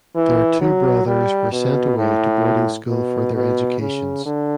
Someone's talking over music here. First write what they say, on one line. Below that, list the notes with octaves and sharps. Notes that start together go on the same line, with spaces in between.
Their two brothers were sent away to boarding school for their educations.
E3
F#3
G3
B2
A2
B2
B2
C#3
D3